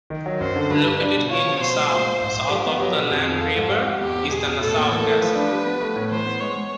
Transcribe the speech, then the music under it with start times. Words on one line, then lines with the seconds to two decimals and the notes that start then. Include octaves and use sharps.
Located in Nassau, south of the Lahn River, is the Nassau Castle.
0.10 D#3
0.26 F#3
0.40 F#2 C5
0.56 D3
0.70 G2 B4
0.86 G3
1.01 D4
1.16 B2
1.30 F4 C#5
1.46 F3
1.61 B2 C5
1.76 G#3
1.91 A#2
2.06 A#2
2.21 G#2 C5
2.35 G#2
2.50 F3 G4
2.66 B3
2.81 F#3 G4
2.95 B2
3.11 F2 G#4
3.26 F2
3.40 F3 A4
3.56 G#2
3.70 F3 G4
3.86 F#4
4.01 E2 G4
4.15 E2
4.31 B2 G#4
4.46 B2
4.61 A2 A4
4.76 A#3
4.90 E3 A4
5.06 A3
5.21 F3 B4
5.35 D4
5.51 G3
5.66 B3
5.81 A3
5.96 A2
6.11 E3 C5
6.25 B3
6.41 G#3 C#5
6.56 G#3